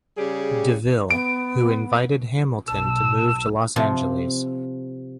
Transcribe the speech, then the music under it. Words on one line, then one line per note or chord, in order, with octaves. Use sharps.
DeVille, who invited Hamilton to move to Los Angeles.
C#3 G3 G4 G#4
B3 D7
B1 A5 E6
C3 F3